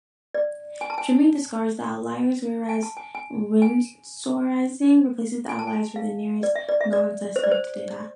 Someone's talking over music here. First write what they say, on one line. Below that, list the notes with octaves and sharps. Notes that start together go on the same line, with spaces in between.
Trimming discards the outliers whereas Winsorising replaces the outliers with the nearest "nonsuspect" data.
D5
G#5
A5
G#5
G#5
A5
G#5
G#5
G#5
G#5
A5
G#5
F5
D5
E5
D5
E5
D5
C5
D5
C5